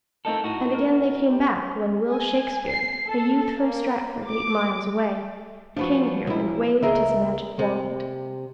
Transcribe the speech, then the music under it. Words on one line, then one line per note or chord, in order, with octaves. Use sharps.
And again they came back when Will Shakespeare, a youth from Stratford, eight miles away, came here and waved his magic wand.
A3 C4 D#4 F4 A4 A#4
A2 D#4 F#4
A#4
G4
G#5
C7
A4
A#3
D6
F3 B3 D4 F#4
B1 E4
C#2 G#4 A#4 E5
C3